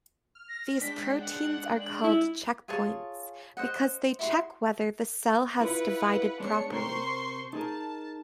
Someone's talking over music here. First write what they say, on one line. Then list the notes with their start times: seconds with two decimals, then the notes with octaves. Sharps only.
These proteins are called checkpoints, because they check whether the cell has divided properly.
0.35 F6
0.49 A#6
0.81 G#3 D4 G5 B6
1.20 F#5
1.80 F#7
2.04 E4
2.68 F4 G#4 C#5 A5
3.57 C5 D#5 F#5
4.19 E4 F#4 C6
5.61 E4 F4 B4 F#5
6.40 G#3 B3 D4 C#5 C#7
6.71 C3 A#4 C5 C6 C#6
7.53 D#4 G#4 A#4 A5